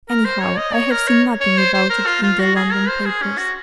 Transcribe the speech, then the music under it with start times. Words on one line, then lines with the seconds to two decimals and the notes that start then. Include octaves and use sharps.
Anyhow, I have seen nothing about it in the London papers.
0.09 A#4
0.25 C5
0.41 C#5
0.58 D#5
0.74 C#5
0.91 A#4
1.08 C#5
1.41 C#5
1.58 C5
1.74 C5
1.90 A#4
2.07 F4
2.23 F4
2.40 F#4
2.56 G#4
2.72 A#4
2.89 C5
3.06 G#4
3.22 C#4
3.38 F#4